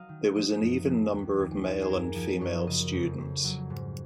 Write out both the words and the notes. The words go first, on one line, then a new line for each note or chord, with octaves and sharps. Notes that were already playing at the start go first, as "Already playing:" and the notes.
There was an even number of male and female students.
Already playing: F#3 D#5 F5
D#3
F3 D#5
F#2
F3
D#2
D#2
D#3
G#4
F#2 A#4
F3
F#2 C#5
C#3 D#5
F2
F2
F#3
G#2